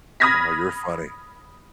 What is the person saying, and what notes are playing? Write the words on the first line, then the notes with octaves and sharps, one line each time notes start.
Oh, you're funny.
B5 D#6 F6 G#6 A#6 B6